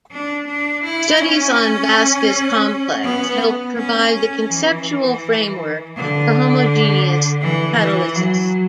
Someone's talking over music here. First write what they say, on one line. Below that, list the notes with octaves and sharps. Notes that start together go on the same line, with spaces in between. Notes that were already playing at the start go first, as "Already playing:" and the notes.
Studies on Vaska's complex helped provide the conceptual framework for homogeneous catalysis.
D4
D4
E4
C#4
B3
C#4
C#4
E3
D3
E3
E3
F#3